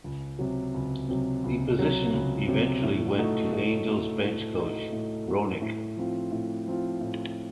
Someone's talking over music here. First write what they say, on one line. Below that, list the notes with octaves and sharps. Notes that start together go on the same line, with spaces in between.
The position eventually went to Angels bench coach Roenicke.
C#2
C3 F#3
C#2
C3 F#3
C#2
C3 F#3
C#2
C3 F#3
A2
A3 D#4 F#4
A2
A3 D#4 F#4
A2
A3 D#4 F#4
A2
A3 D#4 F#4
A2
F3 C4 F4
A2
F3 C4 F4
A2